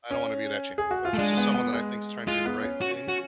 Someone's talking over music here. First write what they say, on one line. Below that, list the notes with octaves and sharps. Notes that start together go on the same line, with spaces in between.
I don't wanna be their champion, but if this is someone that I think is trying to do the right thing,
C#4
G#4
F#4
F4
A3
G#3 D4
B3
B3
G#3
G#3 F4
B3
C#4
F#4
F#4